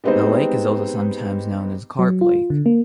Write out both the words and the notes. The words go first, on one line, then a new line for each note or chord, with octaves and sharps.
The lake is also sometimes known as Carp Lake.
G3 G#3 B3 C4 D#4 C5
F#3
F4
D3
A#3